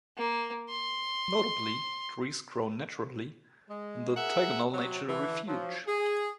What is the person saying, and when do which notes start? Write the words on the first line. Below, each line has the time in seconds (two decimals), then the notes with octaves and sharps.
Notably, trees grow naturally in the Thylogale Nature Refuge.
0.17 A#3
0.70 C6
3.68 G#3
4.15 G#4 A#4 E5 F#5
4.71 C3 F#3
5.07 D3 E3
5.47 F3 F#3
5.86 G#4